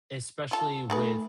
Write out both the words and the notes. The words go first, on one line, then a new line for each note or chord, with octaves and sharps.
especially with
F4 A4
D#3 A3 G#4 B4